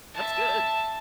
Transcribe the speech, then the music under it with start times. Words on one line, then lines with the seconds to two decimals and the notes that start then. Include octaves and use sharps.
That's good.
0.14 E5 A5